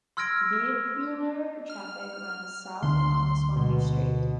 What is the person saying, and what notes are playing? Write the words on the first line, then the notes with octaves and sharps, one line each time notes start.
Vehicular traffic runs south on this one-way street.
C6 E6 F6 G#6 A#6 D7
F6
D2 D3 D4 C6
B2